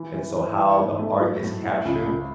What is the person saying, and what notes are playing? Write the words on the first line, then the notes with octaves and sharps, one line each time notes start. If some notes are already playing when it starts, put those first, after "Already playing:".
and so how the art is captured,
Already playing: E3
E3
E3
E4
G#2
A3
F#3
A2
E4
C#2
C#2